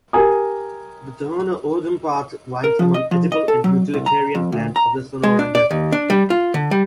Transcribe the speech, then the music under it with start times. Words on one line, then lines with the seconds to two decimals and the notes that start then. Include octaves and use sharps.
The Tohono O'odham Path winds among edible and utilitarian plants of the Sonoran Desert.
0.13 G4 A#4 G#5 D#6
2.64 A#4
2.79 F3
2.94 D#5
3.11 F3
3.32 D#5
3.48 A4
3.64 F#3
3.94 C2
4.06 A#5
4.35 F2
4.52 D2
4.76 A#5
5.23 G#3
5.39 D4
5.55 D5
5.71 D#2
5.92 D4
6.10 G3
6.30 F4
6.54 D3
6.71 G3